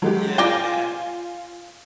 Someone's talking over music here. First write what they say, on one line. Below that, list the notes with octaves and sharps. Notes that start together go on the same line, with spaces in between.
Yeah, yeah.
F#3 G#3 G4
F4 A#4 D5 G5 G#5